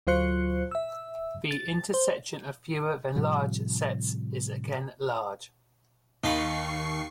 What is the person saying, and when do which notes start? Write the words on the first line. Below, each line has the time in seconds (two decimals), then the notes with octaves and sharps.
The intersection of fewer than large sets is again large.
0.07 D2 F#3 F4 C5 F#6 C#7
0.71 E5 E6
1.51 A6
1.94 C5
3.16 A2 C3 F3 G3
6.24 D#2 D#3 D#4 F4 B5 C#6 C7